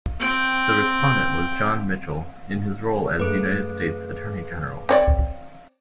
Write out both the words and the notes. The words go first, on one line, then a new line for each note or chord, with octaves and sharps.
The respondent was John Mitchell in his role as United States Attorney General.
C4 G5
F#2 A3 G#4 B4 D6
C4 C#5 D5